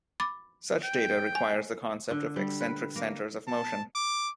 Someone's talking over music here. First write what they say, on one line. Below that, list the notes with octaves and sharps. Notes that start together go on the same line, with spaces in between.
Such data requires the concept of eccentric centers of motion.
B5 D6 A6
G5
G#5
D3
G3
B4
A#3
A5
D6